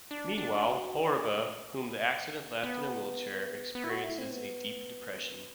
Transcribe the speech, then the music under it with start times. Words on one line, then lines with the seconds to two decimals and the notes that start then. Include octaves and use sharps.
Meanwhile, Horiba, whom the accident left in a wheelchair, experiences a deep depression.
0.11 D4
0.38 D4
0.66 F#4
0.95 D4
2.63 B3
3.75 B3
3.84 E4
3.90 F#4
4.04 E4
4.18 C4
4.31 B3